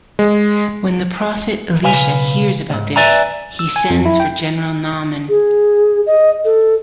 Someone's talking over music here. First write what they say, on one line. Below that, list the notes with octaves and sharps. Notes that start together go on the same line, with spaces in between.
When the prophet Elisha hears about this, he sends for general Naaman.
G#3
B1 C#3 B4 F5 G#5
C#2 G#2
B4 D5 E5 G#5 A#5
E6
G#5
F2
E4
G5
G#4
D#5
A4